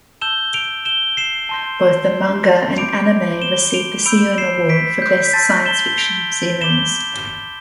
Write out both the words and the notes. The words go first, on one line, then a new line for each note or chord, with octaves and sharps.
Both the manga and anime received the Seiun Award for best science fiction series.
A5 E6 G6 E7 G7
D7 F7
E7 G7
C7 E7
A5 C6 G6
B5 D6 G6 D7 F7
E7 G7
D7 F7
B5 E6 G6 D7 F7
C7 E7
B6 D7
G6
B6
A5 C6 E6 G6 A6
E7 G7
G7
D7 F7
B5 D6 G6 E7 G7